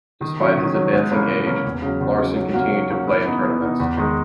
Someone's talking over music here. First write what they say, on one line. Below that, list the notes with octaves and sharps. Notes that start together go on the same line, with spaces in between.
Despite his advancing age, Larsen continued to play in tournaments.
D#3
F#3 C#4
D#3
F#3 C#4
G#2
E3 A#3 C#4
G#2
E3 A#3 C#4
E2
C#3 F#3
E2
C#3 F#3
F#3
A#3 C#4 F#4
F#3
A#3 C#4 F#4
E3
B3 D#4
E3
B3 D#4
E2
D#3 G#3 D#4